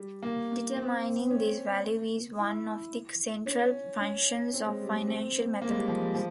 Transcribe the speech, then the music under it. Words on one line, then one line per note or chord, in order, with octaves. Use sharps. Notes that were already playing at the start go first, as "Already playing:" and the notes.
Determining this value is one of the central functions of financial mathematics.
Already playing: G3
A#3
C4
C#4
E4
C#4
C#4
C4
G#3
G3
G#3
C4
A#3
G#3
G3
F3
G3
F3